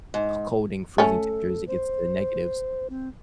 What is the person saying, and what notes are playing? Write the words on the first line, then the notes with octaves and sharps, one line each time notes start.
cold and freezing temperatures. It gets to the negatives,
G#2
A3 C#4 A4
C5
C4